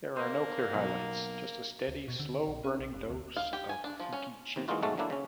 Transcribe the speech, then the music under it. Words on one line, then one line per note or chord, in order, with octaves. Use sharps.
There are no clear highlights, just a steady, slow-burning dose of funky cheeba.
A#3 C5
B1
D2
B2
D3
A#1
C#4
B1
F1
D2
F5
G4
G#5
D4
F3
C#4
D#2 C3
E3 G#3 A#3 D#4 F4 F#4
B1 G#2 G#3 A3 F#4 A5
D3 F#3 A#3 D4 E4
C#3 C#4